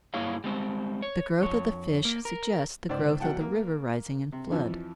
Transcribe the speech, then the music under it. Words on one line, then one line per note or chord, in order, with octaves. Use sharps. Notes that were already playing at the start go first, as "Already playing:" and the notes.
The growth of the fish suggests the growth of the river rising in flood.
G2 A#3 E4 G#4 C#5 F5
G3 G#3 C4
C#5
F2 C#5
A#3
A#4
C#2 G#2 C5 D5
E2 B2 F#3 F#5 G5 A5
A#3
C3
F2 E3 F3